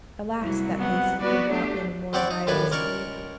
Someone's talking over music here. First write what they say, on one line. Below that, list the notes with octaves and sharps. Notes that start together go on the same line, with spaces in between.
Alas, that his had not been a more guileless Eve!
C2 F#3 E4
B3 F#5
B3 F#4 B4 D5
A3 D4 G4
E2 C4 F#4 G4 D5
D#4
D#2 A2 D4 B4 G#5
C#2 A#4 D5 C#6